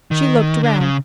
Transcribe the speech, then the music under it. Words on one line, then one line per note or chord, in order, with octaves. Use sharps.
She looked around.
D#3
D3
C#3